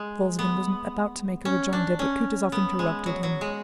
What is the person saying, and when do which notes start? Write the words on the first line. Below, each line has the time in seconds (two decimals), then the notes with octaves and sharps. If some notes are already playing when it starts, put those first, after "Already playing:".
Wolzogen was about to make a rejoinder, but Kutuzov interrupted him.
Already playing: G#3
0.39 B3
1.45 C#4
1.73 D4
1.99 C#4
2.52 B3
2.79 G#3
3.06 F#3
3.23 F#3
3.41 G#3